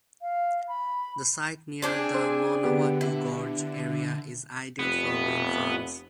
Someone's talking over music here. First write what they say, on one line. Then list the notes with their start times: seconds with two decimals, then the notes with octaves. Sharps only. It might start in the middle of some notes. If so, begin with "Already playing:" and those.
The site near the Manawatu Gorge area is ideal for wind farms.
0.22 F5
0.68 B5
1.82 C4 D4 G#4 G#5
2.14 C5
2.64 D3 B3 G4
3.01 E4
4.79 F1 B3